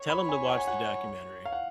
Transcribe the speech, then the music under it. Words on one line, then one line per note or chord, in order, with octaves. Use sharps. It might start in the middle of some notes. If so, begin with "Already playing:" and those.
Tell 'em to watch the documentary.
Already playing: C#5
B5
G#5
F#5
G#5
F#5
F5
F#5